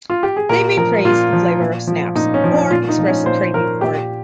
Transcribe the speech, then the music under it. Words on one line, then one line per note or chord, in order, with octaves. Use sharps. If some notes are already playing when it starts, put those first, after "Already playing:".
They may praise the flavour of snaps or express a craving for it.
F4
G4
G#4
A#2 A#4
F3 A#4
A#2 F4
F3
A#2
F3
A#2 D#4
C#4
F3
C#4
A#2 F4
D#4
F3
C#4
A#2 C5
F3 A#4
A#2 G4